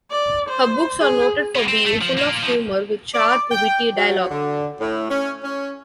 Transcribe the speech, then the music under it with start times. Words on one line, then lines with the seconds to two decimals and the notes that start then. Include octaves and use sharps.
Her books are noted for being full of humor, with sharp, witty dialogue.
0.11 D5
0.49 C5
1.00 G#4
1.55 A#3 B3
1.68 C4
1.86 A3
2.01 F3
2.17 A#3 F4
2.42 B2 F3
3.14 D5
3.52 G5
3.97 F#3
4.30 D3
4.80 A2
5.10 C#4
5.44 C#4